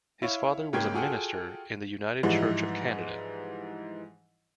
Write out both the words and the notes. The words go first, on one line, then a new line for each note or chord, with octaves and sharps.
His father was a minister in the United Church of Canada.
E4 C#5 F5
G#2 C#3 A#3 G5 G#6
F4 F#4 G#4 A4 F#5 G5
G#2 E3 F3 G3 D#4 E4